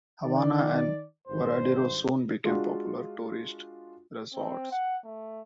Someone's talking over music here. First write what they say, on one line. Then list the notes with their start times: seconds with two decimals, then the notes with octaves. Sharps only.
Havana and Varadero soon became popular tourist resorts.
0.24 D#3 D5
1.28 G#1 G2 C5
2.44 G#3 D4 F4 F#4
4.34 C4
4.72 F#5
5.04 A3